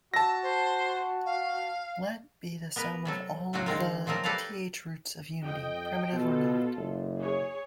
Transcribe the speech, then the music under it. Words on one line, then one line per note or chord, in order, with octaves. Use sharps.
Let be the sum of all the th roots of unity, primitive or not.
F#4 A5 E6 A#6
C5
F5
B3 A#4 B4
C3 F#3 A4
A2 C#3 F#3 C4 F4 F#4
D3 D#3 G#3 C4 F4 A#4
B2 F3 F#3 C4 A#4 D5
G4 A4 B4 D5 F5 A#5
F2 D#5 G5
B2 F4 A4
F#1
G#4 C#5